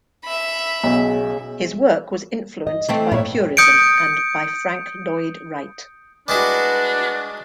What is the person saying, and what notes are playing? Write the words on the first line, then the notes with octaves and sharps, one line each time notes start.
His work was influenced by purism and by Frank Lloyd Wright.
E5 B5
B1 C#3 F#3 G#4
D#5
E3 A3 C4
A#2 E4 C#5
D#6 G6 C#7 D7
G3 G#3 D4 E4 F#4 B4